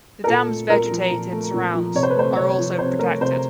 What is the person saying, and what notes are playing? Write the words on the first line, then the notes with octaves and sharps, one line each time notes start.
The dam's vegetated surrounds are also protected.
A#4
A#2 A4
A3
A#2 A#4
F3
A#2
A3
A#2
F3
C3 C#5
C5
B4
A3 C5
C3 C#5
F3
C3 C5
A3 A#4
C3 C5